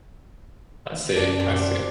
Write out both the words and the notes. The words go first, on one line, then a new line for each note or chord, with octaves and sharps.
I see, I see.
F#2 D4
C3 C4 D4